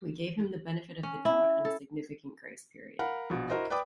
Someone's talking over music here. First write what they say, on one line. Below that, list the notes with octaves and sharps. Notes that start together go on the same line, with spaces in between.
We gave him the benefit of the doubt, and a significant grace period.
C#4
E4
A4
A#4 F5 F#5 B5
A#1 B2
E4 F#4 A#4 C5 D#5
B4 D5 G5 B5 D6 D#6